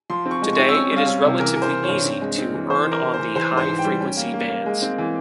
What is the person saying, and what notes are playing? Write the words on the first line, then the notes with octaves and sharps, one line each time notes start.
Today it is relatively easy to earn on the high frequency bands.
F3 C6
C4
C#6
G#3
C#6
C4
E6
C#4 C#6
G3
F5
C#4
C3
E3 A#4
E3 A#4
C5
E3
G2 C#5
C4
G#3
C4
E3
E3 C5
E3
A#4
E3
C5
E3
E3 C5
G#2
C5
E3
G5
G3
C#4
A#3
A#3
A#3
G#3
C4
E3